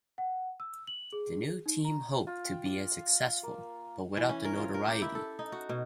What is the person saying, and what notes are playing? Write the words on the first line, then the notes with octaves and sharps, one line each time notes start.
The new team hoped to be as successful but without the notoriety.
F#5
E6
F#7
G#4
D#4
A#5
F4
G5
D6
F5
A#3
E3
C#4
A#4
F4
A#4
G4
E4
A4
D#4
F#4
B2